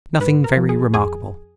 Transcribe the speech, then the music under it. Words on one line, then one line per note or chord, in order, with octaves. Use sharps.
Nothing very remarkable.
G#2 B4
A#4
F3
G#4
F2 G#4